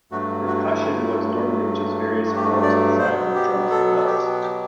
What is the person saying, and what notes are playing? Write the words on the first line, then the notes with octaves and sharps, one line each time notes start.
Percussion was normally just various forms and sizes of drums and bells.
G2 F#3 A3 F#4
F#4
E4
F#4
G4
F#4
D5
B2 F#3 B3 C5
G4
A4
A4
G4
G4